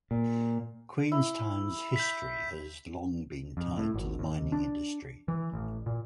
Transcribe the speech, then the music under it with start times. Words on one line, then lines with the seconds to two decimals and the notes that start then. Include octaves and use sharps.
Queenstown's history has long been tied to the mining industry.
0.11 A#2
1.12 E4 E6
1.96 G6 B6
3.57 F2
3.77 A2
3.94 G#1
4.19 D#2
4.52 D4
5.28 E3
5.54 A1
5.86 A#2